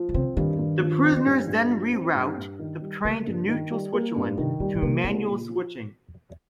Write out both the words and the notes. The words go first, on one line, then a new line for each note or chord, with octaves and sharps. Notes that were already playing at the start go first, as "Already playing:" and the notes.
The prisoners then reroute the train to neutral Switzerland through manual switching.
Already playing: F3
D#3
C#3 C4
G2 D#3
G2
F3
C4
G2
G2
F3
C4
G2
G2
D#3
G3
C#3 A#3
G2
D#3
G3
A#3
G2
C3 D#3
A#2 G3
A#2
C3 A#3
C2 C#3
A#2
F3